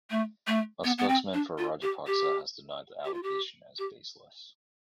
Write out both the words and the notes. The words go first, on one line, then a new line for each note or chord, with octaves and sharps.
A spokesman for Rajapaksa has denied the allegations as baseless.
A3
A3
B3
B3
C4
D4
F4
G4
G4
G4
F4
G4
G4